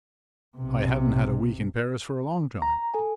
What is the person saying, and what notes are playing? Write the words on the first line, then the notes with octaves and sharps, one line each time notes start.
"I haven't had a week in Paris for a long time."
B1 C3
A#5
A4 G#5